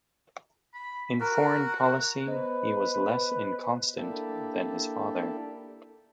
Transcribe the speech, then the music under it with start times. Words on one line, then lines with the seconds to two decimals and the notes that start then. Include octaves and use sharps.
In foreign policy, he was less inconstant than his father.
0.74 B5
1.20 F#4 A#4
2.27 B3 B4 C5 D#5
3.98 A#3 D4 E4 G4 A4